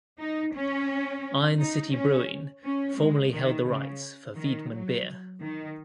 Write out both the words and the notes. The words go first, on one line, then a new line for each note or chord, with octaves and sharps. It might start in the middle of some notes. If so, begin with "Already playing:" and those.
Iron City Brewing formerly held the rights for Wiedemann beer.
D#4
C#4
D#4
C#4
C#4
G#3
D#3
C#3
D#3
F#3
D#3